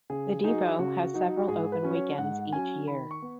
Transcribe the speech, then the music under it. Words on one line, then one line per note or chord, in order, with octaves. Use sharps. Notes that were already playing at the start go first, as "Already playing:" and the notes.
The depot has several open weekends each year.
C#3 G#4
F#3 D#4 G#4
C#3 F#4
F#3 D#4
F#4
G#2 G#4
B4
F#3 C#4
C#5
G#2 F#5
F#3 C#4 G#5
D#3 B5
C#6
B3